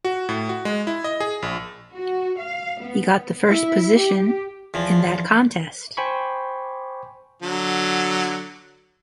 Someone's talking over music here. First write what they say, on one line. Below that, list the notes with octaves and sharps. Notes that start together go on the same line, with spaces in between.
He got the first position in that contest.
F#4
A2
F#4
G#3
E4
D#5
G#4
A#1
F#4
F5
B3
E4
G4
E2 F3
C5 G5 G#5 B5 C#6
D3 F#3